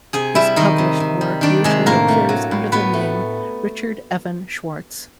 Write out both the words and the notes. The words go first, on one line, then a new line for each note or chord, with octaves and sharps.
His published work usually appears under the name "Richard Evan Schwartz".
C3 G#4 G#5
G3 E4 E5
D#3 D#4 D#5
C3
C3
G3
D#3 D4 D5
C3 G#3 G#4
A2 A#3 A#4
A3
F#3
A2
A2 B3 B4
A3